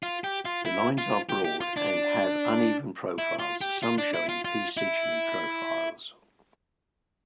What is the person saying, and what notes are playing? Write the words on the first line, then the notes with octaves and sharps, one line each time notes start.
The lines are broad and have uneven profiles, some showing P Cygni profiles.
F4
G4
F4
E4
F4
G4
G4
F4
D4
E4
F4
G4
F4
D4
E4
F4
F4
E4